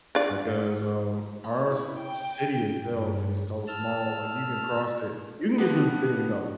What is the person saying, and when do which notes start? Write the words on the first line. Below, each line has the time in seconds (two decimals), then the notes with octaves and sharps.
like, 'cause, um, our c city itself is so small, like, you can cross it you can get through the city in about,
0.15 D4 F4 D5
1.64 E4
1.99 G5
2.92 G2
3.68 A5 E6 F6
5.58 F3 G3 B3 D4 F#5